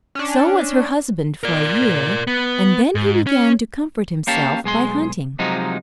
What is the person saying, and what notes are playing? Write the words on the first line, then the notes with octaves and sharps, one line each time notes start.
So was her husband for a year, and then he began to comfort himself by hunting.
C#4 D4
A#4 D5
B3
G#2
C#4
A#3 C#4 G4 C#5 F5 A5
B1 G#3 G#4 C6
C3 F3 F#3 G#3 D#4